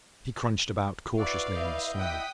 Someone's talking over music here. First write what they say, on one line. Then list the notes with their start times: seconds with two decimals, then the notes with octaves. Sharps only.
He crunched about cautiously in the snow.
1.18 E4 F#4 B4 D5 F5
1.55 E4 D#5 E5 G6
1.99 F#5 G5 D#6 B6